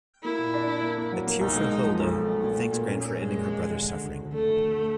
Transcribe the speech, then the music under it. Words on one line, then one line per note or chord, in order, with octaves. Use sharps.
A tearful Hilde thanks Grant for ending her brother's suffering.
A#3 E4
A#2
D4
D4
A#3
A#3
F#3
A#3
B1 D#4
G#3
G#3
F3
B1 A3
F3
B1
A#2
A#2
A#2
C#4
A#3
G3 G#3
A#2
A#3
G3
D3
D3
D2
D2
D3 A3
D2
D3